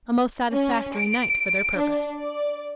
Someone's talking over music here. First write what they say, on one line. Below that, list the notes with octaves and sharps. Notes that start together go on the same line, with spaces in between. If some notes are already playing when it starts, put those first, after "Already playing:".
A most satisfactory night for their purpose.
C#4
D7
D4
D5